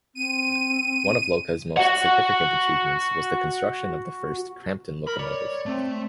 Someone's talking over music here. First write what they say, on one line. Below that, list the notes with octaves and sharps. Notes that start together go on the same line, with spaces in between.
One of Lowca's most significant achievements was the construction of the first Crampton locomotive.
C4 D#7
F#4 F#5
A#4 B5
C#5 D5
A3 C4